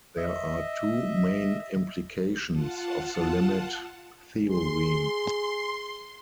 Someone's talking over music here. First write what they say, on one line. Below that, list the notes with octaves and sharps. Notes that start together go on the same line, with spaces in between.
There are two main implications of the limit theorem.
D#5 E5
F4 F#5 A5
G#4 C6